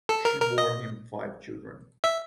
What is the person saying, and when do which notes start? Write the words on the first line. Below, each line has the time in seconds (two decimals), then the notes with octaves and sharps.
She bore him five children.
0.09 A4
0.25 A#4
0.42 A#4
0.58 D#5
2.04 E5